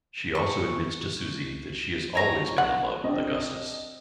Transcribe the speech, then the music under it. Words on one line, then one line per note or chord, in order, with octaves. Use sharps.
She also admits to Susie that she has always been in love with Augustus.
C#6
C#5 A#5
F#5
C4 D4 D#5